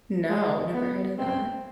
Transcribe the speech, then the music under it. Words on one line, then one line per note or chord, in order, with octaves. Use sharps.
No, never heard of that.
G#3
B3
C4